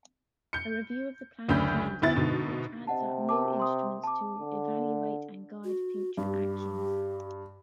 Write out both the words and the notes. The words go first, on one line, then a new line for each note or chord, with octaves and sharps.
A review of the Plan was needed, which adds up new instruments to evaluate and guide future actions.
G6 C#7
F#1 D2 C#4 D4 B5 G6
D2 B3 E4 A6
G#2 B2 D3
C3 D#5 F#5 A5
A#4 A5 D6
C6 D#6
A5 D6
D3
F#4
G2 G4